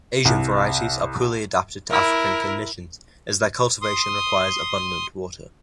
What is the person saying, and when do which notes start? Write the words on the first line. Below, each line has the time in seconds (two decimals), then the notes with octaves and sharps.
Asian varieties are poorly adapted to African conditions as their cultivation requires abundant water.
0.25 C2
1.90 E4 A#4
3.82 C6 D#6